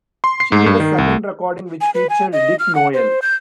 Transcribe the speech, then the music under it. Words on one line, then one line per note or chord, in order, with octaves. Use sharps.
She made a second recording which featured Dick Noel.
C6
C7
G#2
G2
D#3
C2
G#5
B4
G#5
D#5
F6
F#5
C5
G6